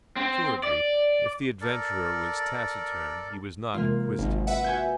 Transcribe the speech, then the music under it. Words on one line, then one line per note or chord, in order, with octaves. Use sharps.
Assuredly if the adventurer was taciturn he was not inquisitive.
C4
D5
A4 A#4 D5
C3 E3 G#3 A#3 F4
G#1
B4 E5 F#5
F#4 G#5 G6